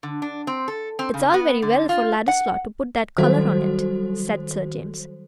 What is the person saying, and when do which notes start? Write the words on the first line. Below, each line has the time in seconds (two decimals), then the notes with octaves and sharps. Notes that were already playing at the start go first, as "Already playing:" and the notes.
"It's all very well for Ladislaw to put that color on it," said Sir James.
0.03 D3
0.22 D4
0.47 C4
0.68 A4
0.99 C4
1.14 C#3
1.34 B3
1.62 D3
1.89 F4
2.28 F#5
3.18 D#3 F#3 G3 F#4 A4 C5